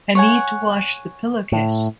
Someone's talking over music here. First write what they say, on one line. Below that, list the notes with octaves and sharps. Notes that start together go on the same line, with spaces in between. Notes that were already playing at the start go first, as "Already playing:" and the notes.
I need to wash the pillow case.
C#5 F#5 G#5
A2